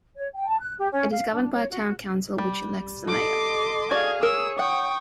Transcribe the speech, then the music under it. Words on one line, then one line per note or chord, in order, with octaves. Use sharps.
It is governed by a town council, which elects the mayor.
C#5
G5
A5
F#6
G4
C#4
F5
D4
C#5
F#4
G3
A4 D#5 C6 D6
F#4 G#4 D5 F5 G#6
A#4 C#5 E6
F#5 G5 C#6 D#6